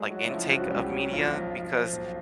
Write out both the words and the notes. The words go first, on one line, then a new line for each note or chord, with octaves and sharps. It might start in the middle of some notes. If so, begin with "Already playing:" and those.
like intake of media, because
Already playing: F#3 G#3 A3 G#4
F#3 F#4
E4
C#3 F3 F4
C#2 F#3 F#4
C#2 G3 G4
F#3
B1 F3 F4
B1
F3
F3
B1